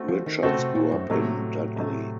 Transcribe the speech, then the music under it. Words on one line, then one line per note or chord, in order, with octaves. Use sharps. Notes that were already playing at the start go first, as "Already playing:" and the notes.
Richards grew up in Dudley.
Already playing: A3 C4 F#4 A4
F3
D#3
C#3 A3 C4 F#4 A4
C3
A#2
F#2
A2 C3 F#3 A3
C3 F#3 A3